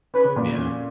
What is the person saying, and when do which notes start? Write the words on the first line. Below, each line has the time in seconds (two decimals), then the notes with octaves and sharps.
Oh, yeah.
0.14 C#4 B4
0.36 A#2
0.58 C#4